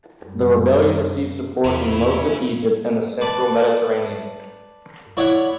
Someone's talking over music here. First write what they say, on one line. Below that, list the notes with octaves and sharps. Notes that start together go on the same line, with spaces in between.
The rebellion received support in most of Egypt and the central Mediterranean.
F#2 G3
E2 C#3 F#3 E4 F4
B4 D5 A5
E4 C#5 D5 E5 F#5